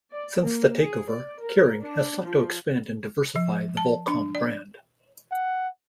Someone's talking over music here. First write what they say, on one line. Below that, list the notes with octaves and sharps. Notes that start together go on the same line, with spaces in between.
Since the takeover, Kering has sought to expand and diversify the Volcom brand.
D5
A#3
G#4
D5
A#4
D4
F3
F3
A5
D4
D5
F#5